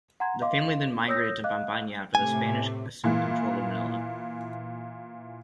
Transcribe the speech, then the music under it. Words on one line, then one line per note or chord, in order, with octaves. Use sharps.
The family then migrated to Pampanga after the Spanish assumed control of Manila.
F#5 G#5 A#5 C6 G#6
D#5 F5 C6 D6
C#5 D#6 E6 G6 A#6
D#5 F5 D6 F#6
A2 C3 A3 G#5
A#2 E3